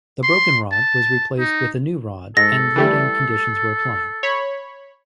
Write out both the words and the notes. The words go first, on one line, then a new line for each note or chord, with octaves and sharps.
The broken rod was replaced with a new rod and loading conditions were applied.
C6
A5
D#4
G#2 A4 A#6
E3 G3 A3
C#5 B5